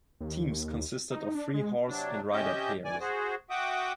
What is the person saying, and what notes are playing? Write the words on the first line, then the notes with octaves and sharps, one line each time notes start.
Teams consisted of three horse and rider pairs.
D#2
D#4
D4
G#3
C3 F#3 D4
C3 C#4 G4 D#5 E5 G6
D2 E3 D5 G#5
F#4 G#4 C5
F#4 E5 F#5 G5 D6 D#6